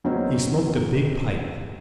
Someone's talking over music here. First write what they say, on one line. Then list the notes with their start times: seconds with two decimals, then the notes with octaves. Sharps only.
He smoked a big pipe.
0.04 E2 F#3 A#3 C4 C#4 D#4